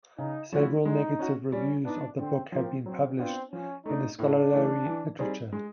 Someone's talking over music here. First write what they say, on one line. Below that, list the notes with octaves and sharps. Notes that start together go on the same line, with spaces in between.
Several negative reviews of the book have been published in the scholarly literature.
C#3 D#4
F3 A3 C#4 E4 F#4
G#3 D#4
C#4 F#4
G3 C#4
B3 D4 D#4
D3 C4
F3 A#3 C4
F#3 C4
B3 C4 D4 F4
F3 C#4
A3 D4 D#4
A2 D4
E3 A3
E3
G3 C4 D#4 G#4
G#3